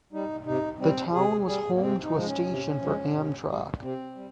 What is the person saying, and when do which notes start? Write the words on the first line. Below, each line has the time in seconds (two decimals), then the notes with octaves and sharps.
The town was home to a station for Amtrak.
0.12 G3 D#4
0.46 C3 D#4
0.80 G3 C4
1.13 C3 G#4
1.47 G3 G#4
1.75 A#3
1.81 C3 C4
2.03 D#4
2.14 F3 G#3
2.25 C#4
2.48 C3
2.81 F3 G#3
3.15 C3
3.48 G3
3.82 C3 C4
4.15 G3